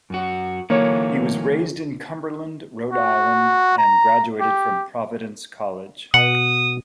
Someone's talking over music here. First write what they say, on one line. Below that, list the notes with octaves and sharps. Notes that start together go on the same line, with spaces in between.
He was raised in Cumberland, Rhode Island and graduated from Providence College.
F#2 F#4
D3 E3 F#3 A#3 C#5
F#4
A#5
G4
B2 F#5 D#6